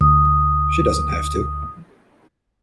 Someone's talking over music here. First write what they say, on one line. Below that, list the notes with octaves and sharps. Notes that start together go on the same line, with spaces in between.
She doesn't have to.
D2 D#6